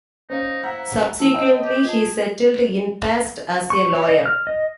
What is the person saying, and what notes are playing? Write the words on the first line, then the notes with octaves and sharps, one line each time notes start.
Subsequently he settled in Pest as a lawyer.
C#4 D#4 C5 F5
E4 F#5 A#5
E3 C#5 A5 E6
D#5 G5
G4
F4 G#4 A5
C#6
C#5
D#5
F6
D#5